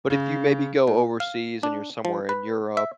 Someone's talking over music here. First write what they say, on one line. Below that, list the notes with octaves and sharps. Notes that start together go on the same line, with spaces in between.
But if you maybe go overseas and you're somewhere in Europe,
C#3
A#2
F5
D4
F3
B4
E5